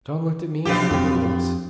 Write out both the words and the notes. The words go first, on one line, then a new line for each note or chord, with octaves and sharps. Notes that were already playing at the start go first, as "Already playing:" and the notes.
John looked at me, and I looked at Willis.
B1 F3 B3 D4 F4 G4
F2 C4